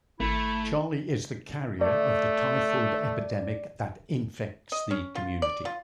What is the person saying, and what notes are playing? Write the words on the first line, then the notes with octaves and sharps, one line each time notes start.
Charlie is the carrier of the typhoid epidemic that infects the community.
G#1 A3 E4
A3 D5
D#5
C#4
F4
D5
F4